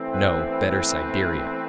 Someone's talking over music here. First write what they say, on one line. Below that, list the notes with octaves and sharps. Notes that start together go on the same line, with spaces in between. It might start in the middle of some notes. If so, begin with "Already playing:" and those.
No, better Siberia!
Already playing: E3 A3 C4
B3 B4
B3 B4